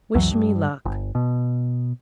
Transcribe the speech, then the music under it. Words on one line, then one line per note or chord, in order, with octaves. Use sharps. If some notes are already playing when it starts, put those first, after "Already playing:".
Wish me luck.'
C2 F2 E3 F#3
G2
G1
B2